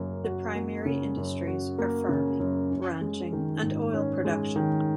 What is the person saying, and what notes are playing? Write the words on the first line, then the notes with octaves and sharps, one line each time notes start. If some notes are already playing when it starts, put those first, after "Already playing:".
The primary industries are farming, ranching and oil production.
Already playing: F#2 C#3 A#3
F#4
A#3
C#3
F#2
F#4
A#3
C#3
F#2
C#4
G#3
D#3
G#2
C#4
G#3
D#3